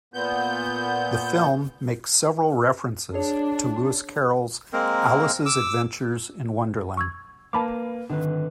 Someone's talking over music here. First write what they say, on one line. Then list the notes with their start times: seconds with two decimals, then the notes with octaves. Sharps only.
The film makes several references to Lewis Carroll's "Alice's Adventures in Wonderland".
0.14 A#2 B3 G6
3.14 D4 G#4 C#5
4.73 G#3 A#3 C4 A#4
5.46 D6 E6
6.97 C#6 E6 G#6
7.53 A#3 B4 F5 A5 B5 D6
8.10 G#1 D3 D#3 B4